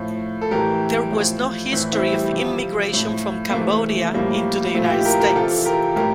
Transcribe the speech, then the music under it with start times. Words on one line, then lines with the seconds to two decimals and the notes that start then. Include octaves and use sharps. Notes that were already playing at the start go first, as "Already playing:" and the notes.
There was no history of immigration from Cambodia into the United States.
Already playing: A2 F3
0.41 A4
0.51 A2 E3 G4 A#4
1.12 A2 F3
1.72 A2 E3 C4 E4
1.93 C4 E4
2.13 G3
2.33 C3 F3
2.93 A2 F3
3.49 A#3
3.54 C3 E3 A3
4.14 A2 F3 G3 A#3
4.75 A#2 F3 A3 C4
4.84 F4
4.89 E4 G4
5.05 G4 A#4
5.20 G4 A#4
5.35 C3 E3 F4 A4
5.65 G4 A#4
5.96 A2 G4 A#4